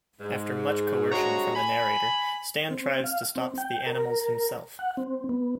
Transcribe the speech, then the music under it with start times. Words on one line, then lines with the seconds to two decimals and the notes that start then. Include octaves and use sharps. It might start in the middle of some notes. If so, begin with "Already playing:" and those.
After much coercion from the narrator, Stan tries to stop the animals himself.
0.21 G#2
1.12 G2 C3 G#3 F#4 C#5 A#5
1.56 G#5 B5
2.71 C4
3.04 F5
3.36 C4
3.58 G5
3.87 A#4
4.79 F#5
4.97 C4
5.29 B3